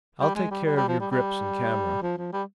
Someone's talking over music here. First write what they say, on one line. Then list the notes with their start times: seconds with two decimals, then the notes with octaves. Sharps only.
I'll take care of your grips and camera.
0.21 G3
0.36 G#3
0.51 G3
0.65 G3
0.77 G3
0.88 F3
1.00 G3
1.12 G3
2.02 F3
2.18 F3
2.33 G3